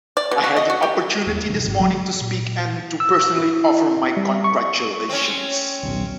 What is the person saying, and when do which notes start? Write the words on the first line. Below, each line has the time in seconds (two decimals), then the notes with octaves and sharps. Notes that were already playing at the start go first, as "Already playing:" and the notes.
I had the opportunity this morning to speak and to personally offer my congratulations.
0.17 D5
0.31 B2
0.44 F#4
0.57 D#5
0.70 F#4
0.82 G4
1.27 D#2 G#3
1.49 F1
1.64 G#1
1.78 F#3 G#3
2.21 A#2
3.00 E6
3.38 E4
4.17 G3
4.44 C#6
5.09 C4 C#4
5.83 D#1 B1